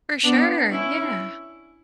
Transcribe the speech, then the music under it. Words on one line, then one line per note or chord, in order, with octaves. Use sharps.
For sure, yeah.
B3 D4
C#4 E4